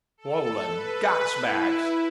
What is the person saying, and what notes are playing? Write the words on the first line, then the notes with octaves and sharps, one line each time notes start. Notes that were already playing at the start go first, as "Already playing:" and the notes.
Swollen gas-bags!
A4
B4
E4